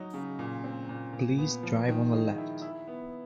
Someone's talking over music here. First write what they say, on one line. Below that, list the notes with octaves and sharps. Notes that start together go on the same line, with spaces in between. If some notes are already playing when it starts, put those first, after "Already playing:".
Please drive on the left.
Already playing: F#3 D#4
C#3
A#2
C4
A#2
A#2
B3
F3
D#3
G#3
E4
E4
B3